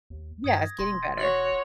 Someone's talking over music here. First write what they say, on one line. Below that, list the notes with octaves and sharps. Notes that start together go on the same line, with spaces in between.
yeah, it's getting better.
D#2
G2 D#6 G#6 A#6
E1 C6 A#6
F#4 C#5 F6 F#7